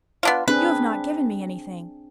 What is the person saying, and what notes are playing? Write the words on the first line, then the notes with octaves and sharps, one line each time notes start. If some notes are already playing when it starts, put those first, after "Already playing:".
"You have not given me anything."
B3 D4 F4
C4 D4 G#4 B4